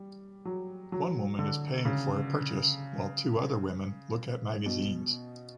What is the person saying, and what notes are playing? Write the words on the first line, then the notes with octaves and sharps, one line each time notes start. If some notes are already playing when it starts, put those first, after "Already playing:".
One woman is paying for a purchase, while two other women look at magazines.
Already playing: G3
F#3
F#3
D3
C#3
B2